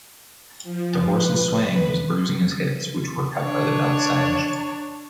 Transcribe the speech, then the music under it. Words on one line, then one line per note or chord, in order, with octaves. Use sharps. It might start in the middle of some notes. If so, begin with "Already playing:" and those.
The horse’s swaying was bruising his hips, which were cut by the belt’s edge.
F3
B4
B4
D4 C#5